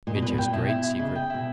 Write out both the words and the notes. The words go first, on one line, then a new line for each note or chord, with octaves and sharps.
Mitya's Great Secret.
A#2 D#5
B2
A#2 B4
B2
A#2 G5
B2 E4
E4
E4
C#3 D#5
G5
B2 E4